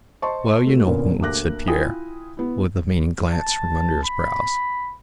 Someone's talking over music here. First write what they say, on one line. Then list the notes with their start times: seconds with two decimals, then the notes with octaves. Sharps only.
"Well, you know whom," said Pierre, with a meaning glance from under his brows.
0.22 C5 D#5 A5 C6 C#6
0.65 G#3 A3 F#4
0.85 A#2 D3 A#3 B3 C#4 A#4
1.20 D2 A#3 D6 F#6 A#6
1.67 E4 F4 G5 G#5 D#6
2.37 B3 E4
3.33 A5
4.04 B5